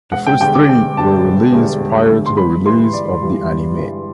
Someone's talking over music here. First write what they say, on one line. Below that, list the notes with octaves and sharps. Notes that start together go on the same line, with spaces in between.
The first three were released prior to the release of the anime.
E1 F#5
G5
E2 D3 G3 G5
D6
E1 G5
E2 D3 G3 A5
E1
E2 D3 G3
E1
E2 D3 G3
C6
G1 B5
G2 E3 G3 C6
G1 D5
G2 E3 G3
G1
G2 E3 G3